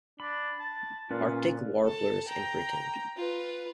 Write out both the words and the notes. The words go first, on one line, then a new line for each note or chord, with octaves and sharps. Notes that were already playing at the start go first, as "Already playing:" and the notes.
Arctic warblers in Britain.
D4 B5
A5
A#2 C#4 F4 B4
A4 A5
G5 A#5
F4 B4